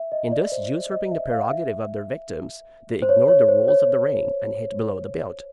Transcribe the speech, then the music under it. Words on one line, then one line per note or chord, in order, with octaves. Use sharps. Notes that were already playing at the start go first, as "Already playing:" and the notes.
In thus usurping the prerogative of their victims, they ignore the rules of the ring, and hit below the belt.
Already playing: E5
D#5
D5
C5
D#5
E5
F5
E5
C5
C#5
C#5
C5
C#5